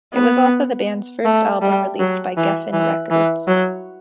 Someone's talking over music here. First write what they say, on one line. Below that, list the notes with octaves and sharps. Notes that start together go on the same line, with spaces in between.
It was also the band's first album released by Geffen Records.
B3
A3
G3
F#3
E3
E3
E3
F#3